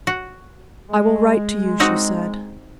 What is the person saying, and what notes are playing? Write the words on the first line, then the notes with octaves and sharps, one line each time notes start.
"I will write to you," she said.
F#4
G#3
C4 D#4 F#4